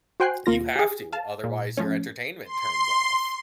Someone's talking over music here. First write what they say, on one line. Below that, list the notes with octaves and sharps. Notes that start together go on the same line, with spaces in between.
You have to, otherwise your entertainment turns off.
F#4 C5 G5 G#5 F#6 C7
D#2 A#3 F4 A#6
G4 G#4
F5 A5
A#2
F3 A3 C#4
C6